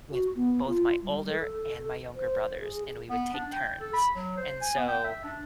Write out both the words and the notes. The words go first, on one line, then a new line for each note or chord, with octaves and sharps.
with, both, my older and my younger brothers," and we would take turns, and, so,
F#4
B3
F4
G3
A4
C5
G#4
B3
D4
G5
A4
B5
F#3
C5
G#5
B3
G5
E5
D4